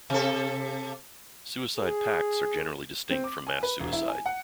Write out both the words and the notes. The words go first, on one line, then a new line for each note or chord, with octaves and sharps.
Suicide pacts are generally distinct from mass suicide.
C3 A4
G#4
C4
D6
G#5
B4
E1
E4
G#5
F#5